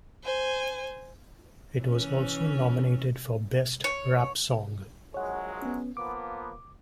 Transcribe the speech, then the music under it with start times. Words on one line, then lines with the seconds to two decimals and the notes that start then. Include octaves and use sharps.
It was also nominated for Best Rap Song.
0.24 C5 G#5
1.83 E3 C#4
3.84 C#5
5.14 A#1 F#3 G#3 C#5 F#5
5.62 B3 C#4
5.97 F3 A#3 B3 D6